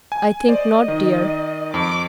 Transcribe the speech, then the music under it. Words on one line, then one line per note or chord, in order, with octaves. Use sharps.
'I think not, dear.
G#5
C5 D5 D#5
D#3
F2 D6